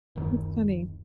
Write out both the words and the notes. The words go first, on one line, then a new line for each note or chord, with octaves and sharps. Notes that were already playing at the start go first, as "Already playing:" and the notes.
That's funny.
D1 F#2 D#3